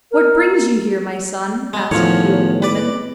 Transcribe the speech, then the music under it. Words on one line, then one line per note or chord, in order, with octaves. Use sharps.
'What brings you here, my son?' asked the old woman.
A#4
G#3
E2 A2 D#3 F3 B3 C#5
B4 D5